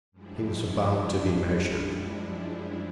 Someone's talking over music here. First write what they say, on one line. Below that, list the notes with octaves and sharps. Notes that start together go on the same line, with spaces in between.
He was about to be measured.
F#2 F3 G3 G#3 D4 E4